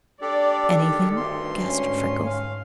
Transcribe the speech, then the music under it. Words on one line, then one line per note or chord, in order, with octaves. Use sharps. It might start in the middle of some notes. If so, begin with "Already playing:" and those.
"Anything!" gasped Freckles.
D4 G4 A4 D5
D#3
D2 G2 C6
G#2 C#4
F5